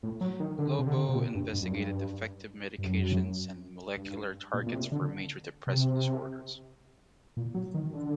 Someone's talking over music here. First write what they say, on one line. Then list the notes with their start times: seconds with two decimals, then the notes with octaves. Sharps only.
Lobo investigated effective medications and molecular targets for major depressive disorders.
0.03 A2
0.21 F#3
0.40 D#3
0.59 D3
0.79 C3
0.87 D3
1.09 C3
1.15 A#2
1.35 G2
1.53 G2
1.63 F#2
1.71 G2
2.78 G2
2.85 F#2
3.98 G2
4.54 A#2
4.67 A#2
4.72 C3
4.92 D3
5.67 C3
7.37 A#2
7.55 F#3
7.74 D#3
7.93 D3